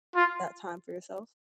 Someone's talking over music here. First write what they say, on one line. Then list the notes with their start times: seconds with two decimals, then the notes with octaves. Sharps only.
that time for yourself?
0.15 F4